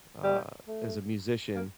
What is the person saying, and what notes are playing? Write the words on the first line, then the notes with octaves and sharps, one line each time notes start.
uh, as a musician
G3
A3
A#3